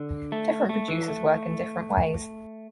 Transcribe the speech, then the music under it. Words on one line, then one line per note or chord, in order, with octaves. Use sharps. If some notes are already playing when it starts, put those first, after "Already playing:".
Different producers work in different ways.
Already playing: D3
A3
A3
E3
A3